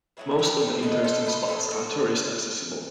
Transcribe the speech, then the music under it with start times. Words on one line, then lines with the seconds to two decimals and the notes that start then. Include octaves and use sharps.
Most of the interesting spots are tourist-accessible.
0.17 B2 F#3 A3 C4 E4
0.39 G4 B4
0.61 A4 C5
0.83 D#3 A3 B4 D#5
1.04 A4 C5
1.26 B4 D#5
1.48 A2 G3 A4 C5
1.71 F#4 A4